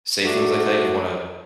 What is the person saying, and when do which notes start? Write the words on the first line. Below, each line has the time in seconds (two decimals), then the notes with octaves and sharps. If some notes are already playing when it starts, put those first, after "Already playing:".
say things like that, you want
0.24 F#3 A3 D4 F#4